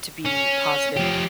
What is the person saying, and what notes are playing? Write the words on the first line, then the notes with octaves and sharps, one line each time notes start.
to be positive
C#4
F3 G4